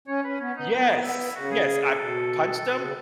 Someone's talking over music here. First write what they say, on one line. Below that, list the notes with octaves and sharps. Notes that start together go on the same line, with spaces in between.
Yes, yes, I punched him,
C#4 C#5
C#4 B4
B3 C#4
B3 D#4
B3 D#4
E4
C#3 F#4
G#4
G#4
A4
B2
B2
C#3